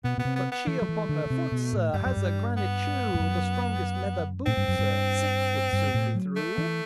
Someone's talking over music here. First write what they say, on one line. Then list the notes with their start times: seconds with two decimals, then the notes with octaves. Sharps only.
'But she upon her foot, sir, Has a granite shoe: The strongest leather boot, sir, Six would soon be through.'
0.04 B2 B3
0.18 B2 B3
0.25 C3
0.36 B3
0.52 B3
0.67 E3 A3
0.82 F#3
0.89 E3
1.09 D3
1.26 D3
1.30 C3
1.52 B2
1.73 A2
1.94 G2 G3
2.06 F#2
2.17 G2
2.57 B3
3.14 G2
3.20 F#2
4.46 A2 C4
4.57 G2
4.68 F#2
4.79 G2
5.73 G2
5.94 A2
6.15 F#3
6.36 A3
6.58 E3